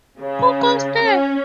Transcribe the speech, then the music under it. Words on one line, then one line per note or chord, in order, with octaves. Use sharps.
Who goes there?
C#3
C#4